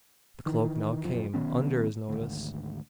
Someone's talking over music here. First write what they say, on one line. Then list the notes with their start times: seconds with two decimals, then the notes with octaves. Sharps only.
The cloak now came under his notice.
0.46 D#3 E3
1.04 F#1 F#2 F3
1.34 B1 D#3 B3 C#4
2.09 G#1 D2